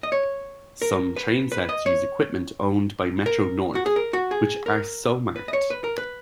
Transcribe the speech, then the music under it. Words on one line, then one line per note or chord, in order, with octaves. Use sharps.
Some train sets use equipment owned by Metro-North, which are so marked.
D#5
C#5
A#4
B4
B4
D#5
C#5
A#4
F#4
G#4
A#4
F#4
G#4
A#4
B4
D#5
C#5
B4
A#4
B4